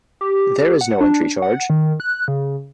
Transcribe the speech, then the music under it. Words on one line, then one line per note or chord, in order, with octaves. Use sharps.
There is no entry charge.
G4
F#5
D4
F#5
D#3
F#6
C#3